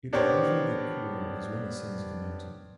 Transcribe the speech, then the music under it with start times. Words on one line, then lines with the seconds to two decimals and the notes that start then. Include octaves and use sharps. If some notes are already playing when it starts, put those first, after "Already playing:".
It will usually get cooler as one ascends the mountain.
0.13 B3 D4 G4 A#4 C5 C#5